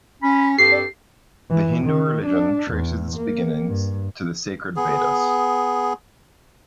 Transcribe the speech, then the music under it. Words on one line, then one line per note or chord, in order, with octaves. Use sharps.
The Hindu religion traces its beginnings to the sacred Vedas.
C#4 B5
G2 C4 G4 A4 C7
E3
D#3
D4
E2
A#3
G2
B3 G#4